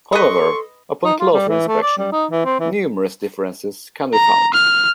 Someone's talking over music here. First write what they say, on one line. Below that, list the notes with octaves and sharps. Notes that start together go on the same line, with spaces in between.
However, upon closer inspection, numerous differences can be found.
A4 B4 D#5 C6 C#6
D#4
F4
G3
E3
A3
D5
G3
D#4
E3
C4
E3
A#5
F6